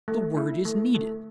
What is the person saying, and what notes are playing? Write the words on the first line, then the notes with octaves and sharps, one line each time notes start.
The word is needed.
A3
E4
A3
A3